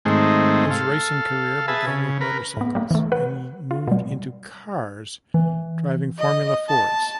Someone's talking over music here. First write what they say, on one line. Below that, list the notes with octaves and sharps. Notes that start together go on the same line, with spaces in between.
His racing career began with motorcycles and he moved into cars driving Formula Fords.
G#2 D#3 G#3 A3 C4
A4 F5
G#4 B4 E5 A5
C#3
A#4 B4
A2 B3
G3 A#3
E3 A3
B4 F#5
F4
B2 G3
E3
D#5
A5